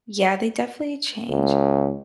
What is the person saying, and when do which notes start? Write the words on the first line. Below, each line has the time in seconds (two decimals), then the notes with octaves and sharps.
Yeah, they definitely change.
1.30 C#2